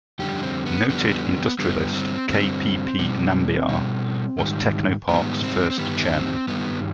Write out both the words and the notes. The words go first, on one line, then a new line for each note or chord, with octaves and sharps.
Noted industrialist K. P. P. Nambiar was Technopark's first chairman.
F2 D3 G3 G4
D4
C4
B3
F2 D3 G3 B3
G2 D3 G3 B3
C4
G2 D3 G3 C4
B2 G3
B2 G3
G#2 D#3 G3
G#2 D#3 G3 B3
C4
C4
G2 D#3 G3 B3
D4
C4
G2 D#3 G3 B3